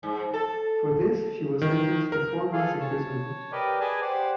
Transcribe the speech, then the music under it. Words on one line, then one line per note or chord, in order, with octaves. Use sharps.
For this she was sentenced to four months imprisonment.
G#2
A4
D#3
A#4
F4 G#4 A4 F5
C#5 A5
G4 A#4 B4 D5 D#5
G#4 B4 D5 D#5 G#5 A5
G4 C5 D5 F#5